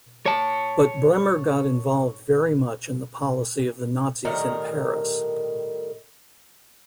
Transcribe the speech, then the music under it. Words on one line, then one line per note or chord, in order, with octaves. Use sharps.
But Bremer got involved very much in the policy of the Nazis in Paris.
C#5 A5
A2 D#3 G3 A#4